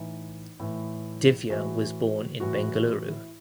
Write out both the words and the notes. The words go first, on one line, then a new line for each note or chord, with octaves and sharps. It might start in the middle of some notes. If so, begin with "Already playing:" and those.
Divya was born in Bengaluru.
Already playing: A2 E3 D#4
A2 E3
A2 E3 F#4
A2 E3 F#4
F#4
F#4
E4